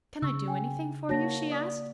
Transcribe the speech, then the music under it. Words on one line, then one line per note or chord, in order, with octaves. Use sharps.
"Can I do anything for you?" she asked.
C#3 C#6 E6
G5 G#5
A#3 F#4 C#5 A5 A#6
D5 D#6